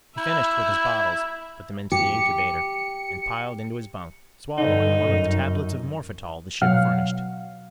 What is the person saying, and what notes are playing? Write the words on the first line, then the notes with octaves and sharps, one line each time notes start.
He finished with his bottles, put them into the incubator, and piled into his bunk, swallowing one of the tablets of morphetal the ship furnished.
E4 E5
G4 C#7
G2 D3 D#4
F#2
B2 F#3 F5 F#5 F6